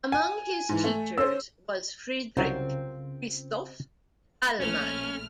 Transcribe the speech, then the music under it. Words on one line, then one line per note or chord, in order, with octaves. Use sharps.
Among his teachers was Friedrich Christoph Dahlmann.
G#5
G#2 E3
A3
C#4 C5 E6
C2 C#3 F#3 C4 F4 A#4
A#1 A3 C#4 F6